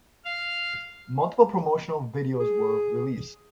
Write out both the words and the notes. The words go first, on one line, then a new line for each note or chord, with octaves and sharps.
Multiple promotional videos were released.
F5
G#4